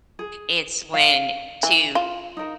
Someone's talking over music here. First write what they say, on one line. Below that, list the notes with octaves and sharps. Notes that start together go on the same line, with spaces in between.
It's when to
G#4
F5
E3
F4
D#4 A#4